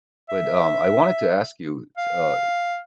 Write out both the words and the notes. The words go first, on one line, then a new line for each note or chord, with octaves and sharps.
But, um, I wanted to ask you, s uh,
E5
F5